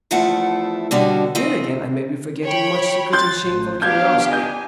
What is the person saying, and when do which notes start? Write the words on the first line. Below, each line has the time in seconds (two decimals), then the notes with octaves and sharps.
Here again I may be forgetting much secret and shameful curiosity.
0.11 E2 C#3 F3 A3 E4 F#5
0.91 B2 D3 G3 C#4 F#4
1.35 C#3 E3 C4 D#5
2.44 C#5 G5 B5
3.13 C6 F#6 G6 A6
3.43 A1
3.82 B3 D4 G4 F5 G6 G#6
4.30 D#5 G#5 G6